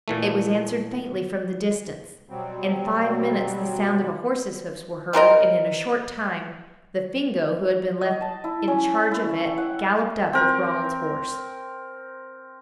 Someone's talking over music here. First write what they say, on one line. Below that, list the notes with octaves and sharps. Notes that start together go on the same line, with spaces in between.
It was answered faintly from the distance; in five minutes the sound of a horse's hoofs were heard, and in a short time the Fingo who had been left in charge of it, galloped up with Ronald's horse.
A#2 E3 A3
B2 F#3 G3 C4
G3 C4 A#4 D#5
D#5
A5
E4
C#4
E4
E5
G5
F#5
C4 A#4